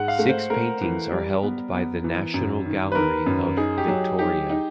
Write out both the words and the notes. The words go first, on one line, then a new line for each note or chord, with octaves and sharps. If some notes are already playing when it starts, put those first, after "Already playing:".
Six paintings are held by the National Gallery of Victoria.
Already playing: G#2 F#5
F5
A3
C5
A3 A#4
E3
G3
B3
B3
E3
F#2
D#3
B4
D#3 A#4
F#2
D#4 G#4
G4
F#3 G#4
D#4 G4
D#4